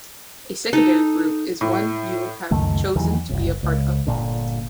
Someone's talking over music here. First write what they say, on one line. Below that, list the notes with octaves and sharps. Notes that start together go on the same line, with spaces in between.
A secondary group is one you have chosen to be a part of.
D#4 A4
A2
C#2 F#2 D#3 A3
E2 D#3 E3 F#3
F#1 C2
C#2
G1 C2 A#2 D3